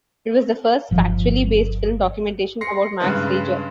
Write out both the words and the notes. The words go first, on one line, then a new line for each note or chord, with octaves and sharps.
It was the first factually based film documentation about Max Reger.
G1 F3
C6 A#6 C7 C#7
G2 C#3 G#3 B4